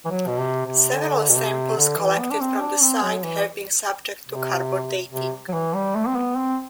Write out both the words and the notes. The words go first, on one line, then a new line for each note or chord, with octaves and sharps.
Several samples collected from the site have been subject to carbon dating.
E3
F#3
B2
C3
C3
D3
B2
C3
D3
E3
B3
D4
C4
D4
C4
F#3
E3
C3
C3
F#3
E3
G3
A3
C4
B3
C4